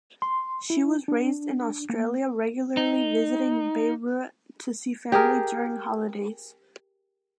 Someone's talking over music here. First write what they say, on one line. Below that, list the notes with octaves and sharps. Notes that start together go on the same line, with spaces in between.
She was raised in Australia regularly visiting Beirut to see family during holidays.
C6
E4
D4
A#3
D#4
G4 G#4 A#4